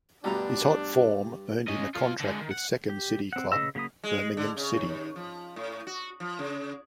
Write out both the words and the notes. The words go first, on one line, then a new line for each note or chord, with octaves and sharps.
His hot form earned him a contract with second-city club Birmingham City.
D2 G2 B2 G3 D4 A#5
C#4 D#5
F4 A4
D3 G#3
D#3
F#5
G4
C4 F#5
C#3 B4 D#5 E6
C#3 F#3 A#3 B5 D#6
G#3
D3
C#3
D#2
F3
A2
F#4
F3
C#3